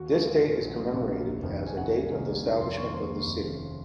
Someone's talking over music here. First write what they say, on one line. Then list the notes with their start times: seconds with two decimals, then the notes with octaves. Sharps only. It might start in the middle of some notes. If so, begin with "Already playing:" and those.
This date is commemorated as a date of the establishment of the city.
Already playing: D#2 F#4
0.10 C#3 G#3 F#4
0.26 D#2 F4
0.44 C#3 G#3
0.61 A#1
0.76 A#2 F#3 A#3
0.93 A#1 F#4
1.11 A#2 F#3 A#3
1.26 F1
1.43 F2 C3 D#3
1.60 F1
1.66 G#5
1.77 F2 C3 D#3 F#5
1.94 C2 G#5
2.10 C3 D#3 A#3
2.27 C2
2.43 C3 D#3 A#3
2.60 F2 C6
2.77 D#3 A#3 C#6
2.93 F2 C6
3.10 D#3 A#3
3.27 F1
3.44 D#2 C#3